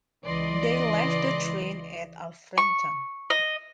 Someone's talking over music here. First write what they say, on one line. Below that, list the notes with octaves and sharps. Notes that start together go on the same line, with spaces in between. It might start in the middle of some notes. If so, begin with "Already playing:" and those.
They left the train at Alfreton.
C#2 E3 D5 D#5 C6
C#6
D#5